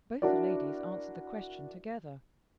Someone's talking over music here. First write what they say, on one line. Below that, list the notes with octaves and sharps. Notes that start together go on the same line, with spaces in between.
Both the ladies answered the question together.
D4 E4 F#4 A#4 D5